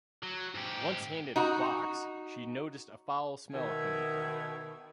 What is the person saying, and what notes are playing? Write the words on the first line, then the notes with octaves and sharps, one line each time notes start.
Once handed a box, she noticed a foul smell coming from it.
F#3
G#2 G4
D#4 F#4
B2 D#3 E5 G#6